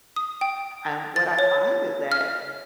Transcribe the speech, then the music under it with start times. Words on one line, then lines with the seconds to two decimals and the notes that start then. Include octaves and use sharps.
Um, what I find is that,
0.16 D#6
0.41 G5
1.16 A6
1.39 C#5
2.12 F6